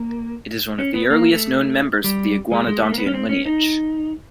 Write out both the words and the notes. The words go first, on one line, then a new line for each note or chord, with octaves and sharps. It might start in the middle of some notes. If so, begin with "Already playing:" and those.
It is one of the earliest known members of the iguanodontian lineage.
Already playing: A#3
C#4
B3
A#3
A3
G3
G#3
G#3
A3
A#3
B3
C#4
C4
C#4
D#4